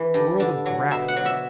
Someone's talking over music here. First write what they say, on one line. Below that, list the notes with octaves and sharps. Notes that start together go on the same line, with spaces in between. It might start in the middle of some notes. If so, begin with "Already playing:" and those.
The world of graft!
Already playing: E3
G2
D3
F#3
B2 E5
F#5
F#3
E5